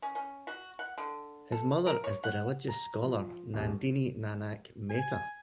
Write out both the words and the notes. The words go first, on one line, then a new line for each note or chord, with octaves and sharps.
His mother is the religious scholar Nandini Nanak Mehta.
C#4
C#4
F#4
F#5
D3
A4
A#4
C#5
F#5
A#5
F3
D#1
G#5